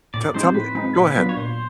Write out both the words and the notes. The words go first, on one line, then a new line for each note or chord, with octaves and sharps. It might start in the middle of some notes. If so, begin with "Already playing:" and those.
Te tell me go ahead.
A2 D5
F3 G#3 C4 D#4 C5
A2 B4
F3 G#3 C4 D#4
A#2 B4
F#3 B3 D4 F4
C#5
A#2 C5